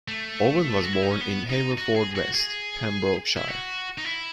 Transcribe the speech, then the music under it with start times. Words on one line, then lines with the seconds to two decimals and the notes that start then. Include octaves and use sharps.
Owen was born in Haverfordwest, Pembrokeshire.
0.08 A3
0.83 F#4
0.93 E4
1.03 D#4
1.11 C#4
1.21 B3
1.50 D#4
1.78 F#4
1.96 G#4
2.16 F#4
2.35 G#4
3.37 E4
3.48 F#4
3.98 D#4
4.05 E4